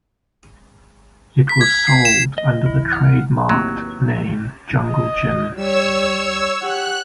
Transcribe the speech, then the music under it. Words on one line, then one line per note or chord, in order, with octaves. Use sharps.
It was sold under the trademarked name Junglegym.
B6
G#6
C7
E7
D#5
D1 E3 E4
F#5 F6
D#2 A2 C3 F#3
D#5
G3 C#5 E6
G4 F#5 F#6